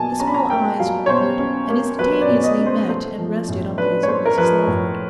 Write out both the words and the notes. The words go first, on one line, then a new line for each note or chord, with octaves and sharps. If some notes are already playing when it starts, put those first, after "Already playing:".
His small eyes wandered, and instantaneously met and rested on those of Mrs Lawford.
Already playing: B2 F#3 A#3 G#5 A5
C#4 A#5
B5
A#5
A#3 G5
F#3 F5
C#5
B2 C5
C#4
A#3
F#3 B4
D5
B2
D#5
C#4
C5
A3 C5
F3
A2
D4 B4
C#5
A3 C5
A#4
F3 B4
A2